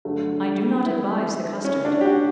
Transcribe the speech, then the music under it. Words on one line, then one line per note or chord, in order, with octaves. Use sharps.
I do not advise the custard.
G2 D3 F#3 A3
E4
C#4
D4
G4
F#4